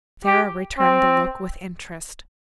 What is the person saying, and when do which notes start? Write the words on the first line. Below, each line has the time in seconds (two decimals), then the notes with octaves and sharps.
Sara returned the look with interest.
0.25 G4
0.78 C4